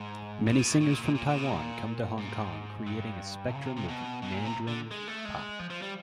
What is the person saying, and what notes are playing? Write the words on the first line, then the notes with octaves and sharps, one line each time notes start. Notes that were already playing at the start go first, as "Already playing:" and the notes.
Many singers from Taiwan came to Hong Kong creating a spectrum of Mandarin pop.
Already playing: G#2
A2
B2
A2
A2
A#2
A#2
A#2
A#2
B2
A#2
G#2
G2
C#3
C3
C3
B2
B2
A#2
C3
D3
G#3
A3
G#3
F3
F3
G3